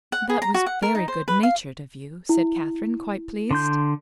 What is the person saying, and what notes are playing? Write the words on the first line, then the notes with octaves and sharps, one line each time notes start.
"That was very good-natured of you," said Catherine, quite pleased.
F#5
G#4
A#5
F#4
F#5
A#4
D#4
C5
B4
F5
E4
D3 C6 G6